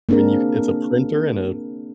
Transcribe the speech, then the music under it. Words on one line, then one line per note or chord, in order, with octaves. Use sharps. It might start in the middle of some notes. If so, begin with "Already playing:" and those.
I mean, you c it's a printer and a
A#3 C4 D4 G#4 A#4